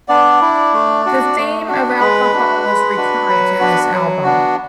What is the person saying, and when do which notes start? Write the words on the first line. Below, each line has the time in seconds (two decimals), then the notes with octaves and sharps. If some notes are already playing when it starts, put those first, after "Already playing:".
The theme of alcohol is recurrent in this album.
0.09 B3 D4 D5
0.42 E4
0.74 A3
1.05 D4 F#4
1.37 A3
1.68 D4 F#4
2.00 G#3 B4 B5
2.33 D4 F#4
2.65 G#3
2.97 D4 F#4
3.29 F#3
3.60 B3 D4 F#4
3.92 F#3
4.23 B3 D4 F#4